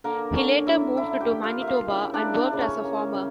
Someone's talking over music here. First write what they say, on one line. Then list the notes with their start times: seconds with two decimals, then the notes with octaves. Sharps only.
He later moved to Manitoba, and worked as a farmer.
0.04 D3 A#3 A#4
0.35 D3 C#4 C#5
0.67 D3 E4 E5
0.97 D3 E4 E5
1.21 G4 G5
1.29 D3
1.44 F4 F5
1.60 A#3 E5
1.67 F4 F5
1.90 C#3 E4 E5
2.14 D4 D5
2.22 A#3
2.37 D4 D5
2.53 C#3
2.60 C#4 C#5
2.84 A#3
3.14 C#3